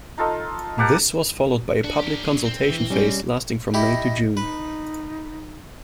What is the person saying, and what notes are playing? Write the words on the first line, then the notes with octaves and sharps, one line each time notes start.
This was followed by a public consultation phase lasting from May to June.
D#4 F4 A4 D#5
A#3 G4 F#5 A5
D4 F#4
G4 A#4
F#3 G#4
C4
E3
G3 G#3 C#4
E4 G4 D#5
D#4 B4